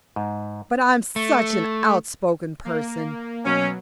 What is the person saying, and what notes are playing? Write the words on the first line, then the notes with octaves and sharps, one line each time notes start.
But I'm such an outspoken person.
G#2
A3
A#3
B2 F#3 C#4